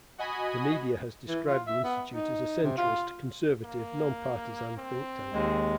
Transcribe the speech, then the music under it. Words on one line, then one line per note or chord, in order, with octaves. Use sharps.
The media has described the Institute as a centrist, conservative, non-partisan, think tank.
F#4 D#5 G#5 B5 D#6
E3
F4
E5
B3
D#4
C3
F4
A#3
C4
D#2 G#3